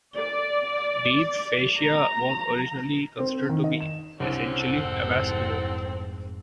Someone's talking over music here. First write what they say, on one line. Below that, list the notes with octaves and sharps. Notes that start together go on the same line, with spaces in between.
Deep fascia was originally considered to be essentially avascular.
D5
A#5
C4
D#3
D#5
E7
C2 D3 C4 C#4 D7
F1 G#2 A4 F#5